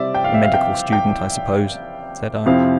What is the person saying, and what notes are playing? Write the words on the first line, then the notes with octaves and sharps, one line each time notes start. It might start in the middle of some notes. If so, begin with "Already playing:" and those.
"A medical student, I suppose?" said I.
Already playing: C3 G3 C4 E4 D5 E5
G5
F5
E5
F5
G5
G5
F2 C3 F3 C4 E4 F5